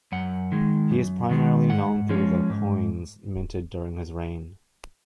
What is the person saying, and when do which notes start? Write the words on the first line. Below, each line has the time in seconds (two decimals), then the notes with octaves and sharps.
He is primarily known through the coins minted during his reign.
0.12 F#2 F#5
0.52 D#3 G#3
0.91 F#2
1.31 D#3 G#3
1.70 G#2 F#5
2.09 F3 G#3 C#4
2.50 G#2